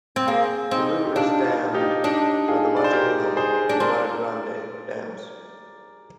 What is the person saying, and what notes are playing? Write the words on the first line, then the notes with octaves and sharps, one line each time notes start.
The river is dammed by the Machadinho and Barra Grande Dams.
C4
A#3 G#4 C5
C4 D#4
G4
D4 F4
F4
D#4 G4
D4 D#4 G4
F4 G#4
D5
C5
G4 A#4
G#4 C5
D4
C4 A#4 D5